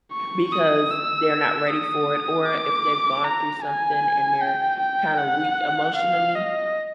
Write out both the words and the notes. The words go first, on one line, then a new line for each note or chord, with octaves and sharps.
because they're not ready for it, or if they've gone through something, and they're kinda weak emotionally,
C#6
D#6
E6
D#6
D6
A#5
G#5
G5
G5
F#5
F5
D#5